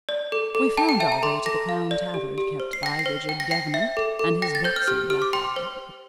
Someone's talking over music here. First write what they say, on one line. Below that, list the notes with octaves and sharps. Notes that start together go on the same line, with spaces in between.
We found our way to the Crown Tavern, kept by Richard Devanant and his buxom black-eyed wife.
D5
A4
A4
G5 A5
G5
E5 A5
A#5
A4 C6
A4 A#6
F5
D5
G4
G4
C5
C7
G5 A#6
C7
C5
G5
A#6
G5 C7
E5
A4
A4
G5 A#6
A6
C5 G6
F6
G4 F6
G4 F6
D6
G5 C6
C5